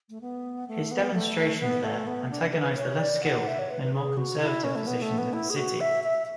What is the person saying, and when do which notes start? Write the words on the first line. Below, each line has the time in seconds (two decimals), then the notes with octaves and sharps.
His demonstrations there antagonized the less skilled and more conservative physicians in the city.
0.09 A3
0.21 B3
0.68 A3
0.91 B3
1.14 A3
1.61 B3
1.83 A3
2.07 B3
2.30 D4
2.54 B4
2.77 C#5
3.00 D5
3.23 F#5
3.47 E5
3.59 C#5
3.70 B4
3.82 B4
3.93 G#4
4.17 F#4
4.40 E4
4.64 C#4
4.75 A3
4.87 B3
5.02 A3
5.18 B3
5.33 E4
5.50 G#4
5.56 F#4
5.80 E5
6.03 E5